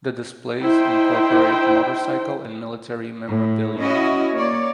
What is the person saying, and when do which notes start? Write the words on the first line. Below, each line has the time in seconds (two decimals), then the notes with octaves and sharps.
The displays incorporate motorcycle and military memorabilia.
0.60 D#4 E4 C5 G5
3.28 A2
3.79 C#4 E4 F#4 D#5
4.34 A#3 C#5 D5